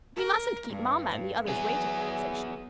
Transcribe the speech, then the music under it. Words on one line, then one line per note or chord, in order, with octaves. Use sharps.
"We mustn't keep mamma and the others waiting," said she.
A#4
G2
F#3 B3 G#4